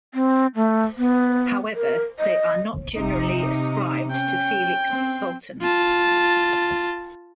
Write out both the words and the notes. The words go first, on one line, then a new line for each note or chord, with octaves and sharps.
However, they are not generally ascribed to Felix Salten.
C4
A3
B3
A#4
D#5
C3 D#4
C#4 G5
C4
F4 A5